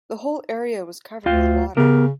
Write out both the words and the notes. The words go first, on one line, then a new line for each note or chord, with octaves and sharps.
The whole area was covered with water.
D2 F4 F5 G5
C#3 B3 G4 A#4